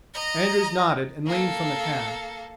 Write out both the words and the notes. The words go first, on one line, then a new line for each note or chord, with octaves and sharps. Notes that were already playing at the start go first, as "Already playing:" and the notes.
Andrews nodded and leaned from the cab.
D#5 A#5
A#3 A4